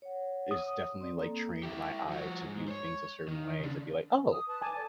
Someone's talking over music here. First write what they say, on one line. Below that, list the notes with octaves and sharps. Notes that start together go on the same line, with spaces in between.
it's definitely, like, trained my eye to view things a certain way to be, like, "Oh,
C#5 F#5
D#6
C4 D5
A#3 A4
E4 G4
F3 F#4
G#2
C5 C#5
D#3
C#3 D4
D#6
B4 A5
G#5 A5 D6
A4 D5